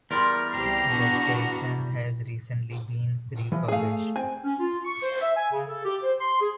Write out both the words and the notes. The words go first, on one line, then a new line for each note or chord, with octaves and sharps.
The station has recently been refurbished.
E2 G3 A#4 D5 C6 C#6
C2 G4 A#5 C7
B3 D4 F#4
E3 F3
A3 G#4 F5 G#5
C4 G#5
C#4
F4
C#6
C5
E5
G#5
C#3
A4
G4
C5
C6
G#4